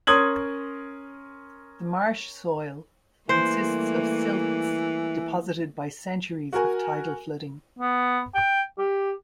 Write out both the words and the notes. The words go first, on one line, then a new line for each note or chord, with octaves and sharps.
The marsh soil consists of silts deposited by centuries of tidal flooding.
C#4 A#4 C6 D#6 G#6 F#7
E3 G3 A3 A#3 C5
F#4 A#4 G#5
B3
G5
G4